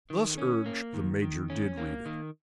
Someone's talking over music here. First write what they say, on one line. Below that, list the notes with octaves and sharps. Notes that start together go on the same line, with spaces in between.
Thus urged, the Major did read it.
D#3
C#4
A#3
D#3
D#3
C#4
A#3
D#3